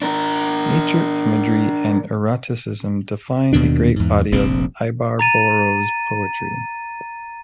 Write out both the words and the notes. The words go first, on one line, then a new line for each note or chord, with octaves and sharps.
Nature imagery and eroticism define a great body of Ibarbourou's poetry.
D4 A#4
D#2 B2 D#3 D4
E2 G#2
F1 A#1 F3 C4
A#5 A6 D#7